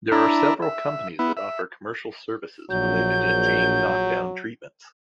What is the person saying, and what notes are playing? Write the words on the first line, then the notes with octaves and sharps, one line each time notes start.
There are several companies that offer commercial services related to gene knockdown treatments.
D4 E4 A#5
E5
B3 E4
E5
A#1 F#3 G6